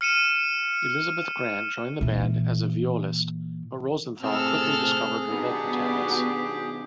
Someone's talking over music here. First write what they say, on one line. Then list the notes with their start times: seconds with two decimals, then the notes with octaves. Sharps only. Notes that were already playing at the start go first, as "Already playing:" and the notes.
Elysabeth Grant joined the band as violist, but Rosenthal quickly discovered her vocal talents.
0.01 F6 C#7 D#7 E7
2.01 A#2 E3
4.23 A2 C3 C4 G#4 A4 E6 F6
5.32 B2 D#3 B3 D4 F#4 G4